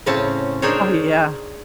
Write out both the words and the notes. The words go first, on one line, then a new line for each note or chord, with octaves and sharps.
Oh, yeah.
A2 C#3 C4 C#4 C#5 A5
D4 D#4 G#4 A#4 C5 C#5